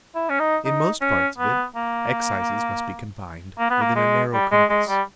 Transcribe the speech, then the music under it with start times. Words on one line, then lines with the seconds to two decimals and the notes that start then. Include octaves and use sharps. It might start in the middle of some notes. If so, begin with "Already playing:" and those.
In most parts of it, excises must be confined within a narrow compass.
0.15 E4
0.29 C#4
0.40 D#4
0.65 D#4
1.02 C#4
1.38 B3
1.76 A#3
3.59 A#3
3.70 B3
3.82 A#3
3.96 G#3
4.33 G3
4.52 G#3
4.70 G#3
4.89 G3